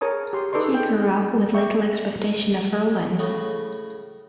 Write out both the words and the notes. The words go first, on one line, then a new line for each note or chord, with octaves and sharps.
He grew up with little expectation of ruling.
G#4 A#4 C#5 A5 D#6
G4 C6
D#4 A4 B4 D5 C6 C#6
G#4 G5
D5 E5 G5 C#6 D6
A2 C#3 F#4 D#5